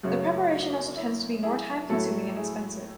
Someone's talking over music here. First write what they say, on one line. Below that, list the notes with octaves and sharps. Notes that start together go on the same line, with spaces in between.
The preparation also tends to be more time consuming and expensive.
F#2 C#3 F#3 A3 C#4 F#4
F#4
E4
E4 G#4
A2 F#3 A3 E4 F#4 A4
E4 G#4